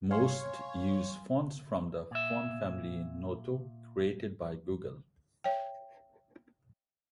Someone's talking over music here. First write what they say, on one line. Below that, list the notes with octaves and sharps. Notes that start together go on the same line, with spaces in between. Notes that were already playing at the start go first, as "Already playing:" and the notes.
Most use fonts from the font family Noto, created by Google.
C#5 F5 G#5 C6
A#2 E5
C#5 E5 G5